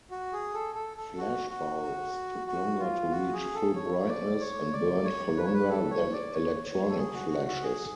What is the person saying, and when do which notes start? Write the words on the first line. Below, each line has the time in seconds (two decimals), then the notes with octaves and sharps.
Flashbulbs took longer to reach full brightness and burned for longer than electronic flashes.
0.11 F#4
0.33 G#4
0.54 A4
0.75 A4
0.97 A4
1.18 F#4
1.50 F#4
2.47 F#4
2.79 F4
3.11 F#4
3.33 G#4
3.54 A4
3.76 C#5
4.08 D5
4.40 C#5
4.73 D5
5.04 C#5
5.37 B4
5.45 C#5
5.53 B4
5.69 A4
5.91 C#5
6.13 D5
6.33 C#5
6.65 C#5
6.89 A4
6.98 G#4
7.14 F#4
7.30 F#4
7.46 F#4
7.62 G#4